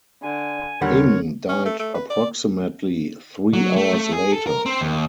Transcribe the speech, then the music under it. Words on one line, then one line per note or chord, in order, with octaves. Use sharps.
Eng died approximately three hours later.
D3 G#5
D#2 D3 G3 A#4 C#5 F#5
C#4
A3
A3
B4
D5
F#3
A3
A3
G#4
A4
A#4
C4
D#2